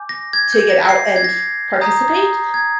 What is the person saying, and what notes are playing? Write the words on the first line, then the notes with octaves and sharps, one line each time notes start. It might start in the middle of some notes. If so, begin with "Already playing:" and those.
to get out and participate.
Already playing: G#5 D6 G6
A#6
G#6
G6
A#6
C7
A#6
G#6
A#6
A#5 D#6 G6
G#6